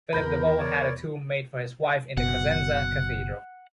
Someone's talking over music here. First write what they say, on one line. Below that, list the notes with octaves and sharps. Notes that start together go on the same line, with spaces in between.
Philip the Bold had a tomb made for his wife in the Cosenza cathedral.
E2 A#4 B5 G6 A#6
C#5 D5
F#1 B2 F#5